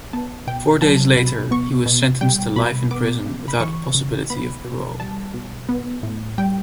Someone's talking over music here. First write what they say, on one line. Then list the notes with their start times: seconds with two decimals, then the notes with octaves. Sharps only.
Four days later, he was sentenced to life in prison without possibility of parole.
0.13 B3 A5
0.47 B2 G5
0.82 F#3 A5
1.16 B2 B5
1.51 B3 C#6
1.86 B2
2.21 G3 G5
2.56 B2 B5
2.91 B3 D6
3.26 C#3
3.48 B5
3.60 E3 C#6
3.95 C#3
4.30 B3 B5
4.65 B2
4.99 G3 A5
5.34 B2
5.69 B3
6.03 A2
6.38 G3 G5